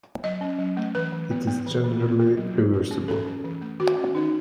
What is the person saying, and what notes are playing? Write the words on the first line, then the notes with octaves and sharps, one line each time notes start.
It is generally reversible.
F#3 D#5
C#4
F#3
A3
E3 B4
E3
B3
B3
E3
E3
B3
B3
F#3
F#3
C#4
C#4
E3 A4
C#4
E3
A3
D#3 F#4
C#4
D#3 D#4